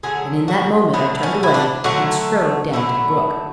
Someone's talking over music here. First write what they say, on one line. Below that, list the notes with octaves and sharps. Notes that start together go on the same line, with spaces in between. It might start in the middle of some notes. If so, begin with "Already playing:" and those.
And in that moment I turned away and strode down to the brook.
D3 F#3 A3 G#4
F#4
D3 F#3 A3 B3
C#4
E4
D4
D3 F#3 A3 F#4
D3 F#3 A3 E4